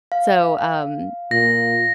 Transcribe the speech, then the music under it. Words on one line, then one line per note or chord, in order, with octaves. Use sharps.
So, um
F5
A#2 A#6